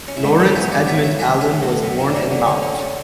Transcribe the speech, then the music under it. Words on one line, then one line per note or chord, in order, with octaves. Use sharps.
Laurence Edmund Allen was born in Mt.
C#4
E4
G#2 B3 D4
A4 C#5
B3 E5 G#5
D5 F#5
B3 C#5 E5
C#5 E5
F#3 E5 G#5
E5 G#5
A2
F#4 A4
F#2 B3
C#4 E4
D4
D3 C#4 E4
B3 D4
D3 C#4
C#4
C#4